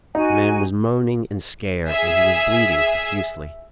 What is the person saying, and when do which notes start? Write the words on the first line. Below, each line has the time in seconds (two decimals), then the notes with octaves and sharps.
The man was moaning and scared, and he was bleeding profusely.
0.15 D#4 F#4 G#5
1.87 G#4 E5